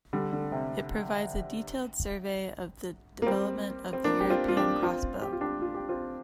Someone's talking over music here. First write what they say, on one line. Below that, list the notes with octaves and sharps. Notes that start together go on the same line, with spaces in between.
It provides a detailed survey of the development of the European crossbow.
D3 G3
D3
C3
A#3
G3 C4
C4
A#3 D4
G4
C4 F4
F4
D4 G4
C4 F4
G4
F4
D4 G4
F4
G4
C4 F4